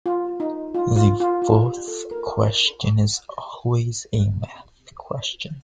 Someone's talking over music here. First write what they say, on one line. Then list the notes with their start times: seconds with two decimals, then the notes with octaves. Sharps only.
The fourth question is always a math question.
0.06 F4
0.40 D#4
0.75 F4
0.96 F4
1.20 F4
1.42 F4
1.65 G4
1.88 A4
2.11 A#4